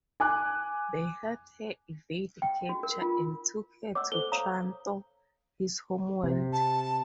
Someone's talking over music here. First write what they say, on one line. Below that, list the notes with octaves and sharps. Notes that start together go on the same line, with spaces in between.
They helped her evade capture and took her to Trantor, his homeworld.
G#5 D6 F#6
G5
F#4
A#4
F4
C#5 F#5 D6 E6
A4 C5 G7
C#5 F5 A#5 D#6
C3
A5